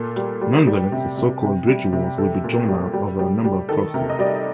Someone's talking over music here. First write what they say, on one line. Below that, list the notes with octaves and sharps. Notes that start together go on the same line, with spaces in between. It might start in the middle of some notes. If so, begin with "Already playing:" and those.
Nonetheless, the so-called "Bridge Wars" would be drawn out over a number of proxies.
Already playing: A#2 A4
G3
G3
G3 G4
C3
C3
C3
G3
C3
G3 A4
A#2
G3
G3
G3
G3
D#3 A4
C3 A#4
D#5
G3 D5